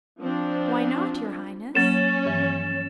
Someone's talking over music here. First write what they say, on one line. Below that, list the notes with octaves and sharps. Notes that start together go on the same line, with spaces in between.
"Why not, your Highness?"
F3 C4 D4
F#3 A#3 C#4 A6 E7
G2 E3 F3